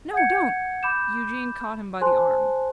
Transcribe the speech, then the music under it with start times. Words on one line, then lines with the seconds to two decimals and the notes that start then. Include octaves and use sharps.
'No, don't!' Eugene caught him by the arm.
0.13 F#5 G6 G#6 C#7
0.83 B5 D6 G6 E7
2.01 G#4 C5 G#5 A5 C6 F#6